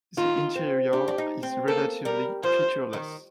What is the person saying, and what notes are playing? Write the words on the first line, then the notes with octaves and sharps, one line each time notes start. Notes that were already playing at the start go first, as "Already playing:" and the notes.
The interior is relatively featureless.
D#3 F4
C4
D4 G4
D4
D#4
C4
A#3 A4
G3 A#4
F3 C5
D#3